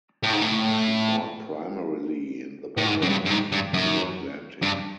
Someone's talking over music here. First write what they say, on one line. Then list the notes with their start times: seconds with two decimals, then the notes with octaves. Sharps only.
She fought primarily in the Battle of the Atlantic.
0.23 A2
0.33 G#2
0.41 A2
2.78 A2
2.87 G#2
3.02 F#2
3.09 G2
3.26 G2
3.31 G#2
3.52 G2
3.74 F#2
4.62 G2